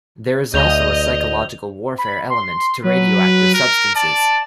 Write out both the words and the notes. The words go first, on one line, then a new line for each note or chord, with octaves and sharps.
There is also a psychological warfare element to radioactive substances.
D2 D#5 G6 F7 G7
B5
C6
F#3 B4
A#4
D5 A5